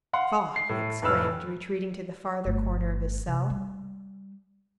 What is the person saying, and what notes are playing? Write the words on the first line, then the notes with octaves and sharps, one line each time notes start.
"Faugh!" he exclaimed, retreating to the farther corner of his cell.
F5 F#5 C6
C7
A2
F1 A2 B4 E6 F6
G1 A3
C3
G3